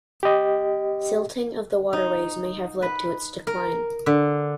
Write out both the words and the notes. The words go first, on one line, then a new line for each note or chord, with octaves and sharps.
Silting of the waterways may have led to its decline.
G4 D#5
D#4
B4
A#4
D3